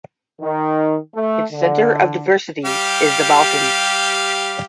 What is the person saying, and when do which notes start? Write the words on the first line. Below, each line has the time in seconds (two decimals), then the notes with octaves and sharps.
Its center of diversity is the Balkans.
0.41 D#3
1.13 A3
1.52 D3
2.65 G3 G4 F5